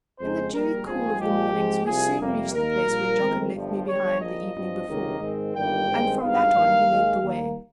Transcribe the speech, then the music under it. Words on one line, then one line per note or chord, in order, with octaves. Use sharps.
In the dewy cool of the morning we soon reached the place where Jock had left me behind the evening before; and from that on he led the way.
F2 C#3 G#3 C4 C5
A#1 A#2 G3 A#4
A#1 G#2 F3 C4 G#4
A#1 A#2 F3 G#3 G4
G#2 F3 G#3 C4
C2 C3 F3 G#4
F2 C3 G3 A#3
D#2 D#3 A#3 A#4
A#1 A#2 G3 A#3
G1 F2 D#3 G#3 C4
G1 G2 F3
G1 G2 G3 C#5
A#1 A#2 F3 D#5
G2 F3 C4
C#2 C3 D#3 A#3
G#2 D#3 G#3 C4
G1 G2 D#3 G3 A#3 G5
G2 D#3 G#3 C4
G#1 G2 D#3 F5
G2 D#3 A#3
D#2 D#3 G#3
D#2 D#3 G3 A#3